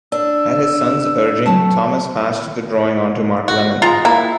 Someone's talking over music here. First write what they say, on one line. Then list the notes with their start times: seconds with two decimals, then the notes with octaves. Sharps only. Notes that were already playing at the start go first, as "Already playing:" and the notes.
At his son's urging Thomas passed the drawing on to Mark Lemon.
0.12 D4 E6
1.46 F#3 A3 A5
3.48 F#4
3.82 G#3 F4 A#5
4.05 A#3 E4 A#5